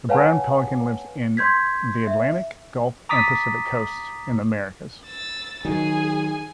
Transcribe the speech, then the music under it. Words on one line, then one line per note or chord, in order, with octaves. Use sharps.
The brown pelican lives on the Atlantic, Gulf and Pacific coasts in the Americas.
B4 C#5 F5 F#5 G#5 A5
C6 G6 G#6 B6
E5
A#5 D6 D#6 A6 B6
E6 A6
D#3 F#3 D#4 G#4 G#5